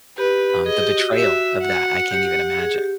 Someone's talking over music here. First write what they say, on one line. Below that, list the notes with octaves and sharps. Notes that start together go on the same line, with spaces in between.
um, the betrayal of that, I can't even imagine.
G4 B4
G#4 D#5
G4
F#4
G4 E5
F#4
F#5
G4
G#4
G4